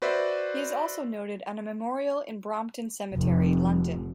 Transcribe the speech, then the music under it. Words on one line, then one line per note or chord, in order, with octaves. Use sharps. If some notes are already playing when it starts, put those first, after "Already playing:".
He is also noted on a memorial in Brompton Cemetery, London.
F#4 B4 C5 D5 E5
F1